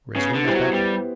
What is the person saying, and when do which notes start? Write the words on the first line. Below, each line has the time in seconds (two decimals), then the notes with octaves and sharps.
Whereas we know better.
0.16 C#3 B3
0.35 D3
0.44 G3 E4 G4 C5
0.55 F#3
0.73 G3 B3